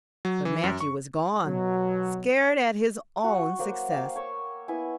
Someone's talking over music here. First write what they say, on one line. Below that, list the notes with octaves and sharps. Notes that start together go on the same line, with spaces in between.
But Matthew was gone, scared at his own success.
F#3
E3
F#2
C#6
B2 F#3
F#4 C#6
F#3 A#3 C5
A#3 F5 G5
C#5 A#5 C#6 E6
B3 E4 G#5